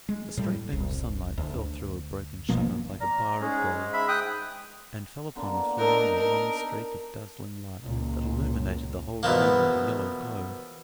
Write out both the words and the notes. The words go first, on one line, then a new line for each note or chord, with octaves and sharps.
A straight beam of sunlight fell through a broken shutter like a bar of gold, and fell upon the floor in a long streak of dazzling light that illuminated the whole room with a yellow glow.
G#3
A2 G3
E1 C2
D2
A#1 B2 F3 A#3
D5 A#5
G#2 G#3 C#4
E5 B5
G5 D#6 F#6
B2 D3 A#3
D4 D#4 A4 A#4
A#4
C#2 A#2
E2 B2 F3 A#3